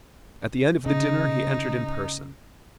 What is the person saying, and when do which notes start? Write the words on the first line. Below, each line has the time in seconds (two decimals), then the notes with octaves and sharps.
At the end of the dinner he entered in person.
0.86 C#3 D#4